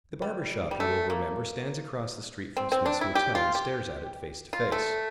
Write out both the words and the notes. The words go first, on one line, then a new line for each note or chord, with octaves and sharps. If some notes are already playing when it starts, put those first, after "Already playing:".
The barber shop, you will remember, stands across the street from Smith's Hotel, and stares at it face to face.
G3
G3
A3
A#3
C4
C4
D4
E4
G4
F4
G4
F4
A3